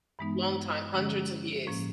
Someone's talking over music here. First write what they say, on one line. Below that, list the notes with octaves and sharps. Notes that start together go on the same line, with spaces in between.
Long time, hundreds of years.
G2 E3 G#3 B3 D#4
D3 F3 G#3 C#4
A2 F3 A#3 C#4